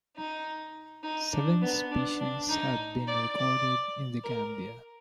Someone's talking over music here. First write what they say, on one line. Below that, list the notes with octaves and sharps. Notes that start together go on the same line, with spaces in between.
Seven species have been recorded in the Gambia.
D#4
D#4
D4
B3
D4
D4
D#4
D5
D5
A#4